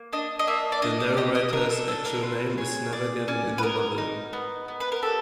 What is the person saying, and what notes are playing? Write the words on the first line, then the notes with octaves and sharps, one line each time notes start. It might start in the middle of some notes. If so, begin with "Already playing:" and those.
The narrator's actual name is never given in the novel.
Already playing: A#3
D4 D#5
D#5
A#3 E5
D5
D4 D#5
D5
G4 D#5
D#5
D4 A#4
A4
D4 A4
A#4
F4 B4
G#4 C#5
G#4 D5
C#4 D5
B4
B3 A#4
D#4
B3
B3
B4
A#4
G4 A4